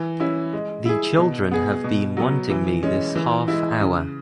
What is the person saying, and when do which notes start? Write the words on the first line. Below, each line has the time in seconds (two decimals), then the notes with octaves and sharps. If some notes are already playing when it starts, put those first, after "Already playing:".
The children have been wanting me this half hour.
Already playing: E3
0.20 C#4 E4
0.53 G#3
0.85 E4 G#4
1.18 B2
1.51 B3 G#4
1.84 B2
2.17 F#3 B3
2.50 E3
2.83 G#3 C#4
3.15 E3
3.48 G#3 E4
3.81 C#3